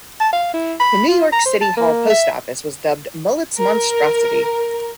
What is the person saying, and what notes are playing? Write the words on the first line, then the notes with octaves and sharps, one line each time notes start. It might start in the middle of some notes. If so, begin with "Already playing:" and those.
The New York City Hall Post Office was dubbed Mullett's monstrosity.
A5
F5
E4
B5
F4
A#5
C5
A5
A#3
E5
A#4